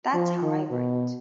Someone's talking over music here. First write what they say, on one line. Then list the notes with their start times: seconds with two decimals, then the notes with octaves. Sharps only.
That's how I write.
0.14 F3
0.42 D#3
0.71 B2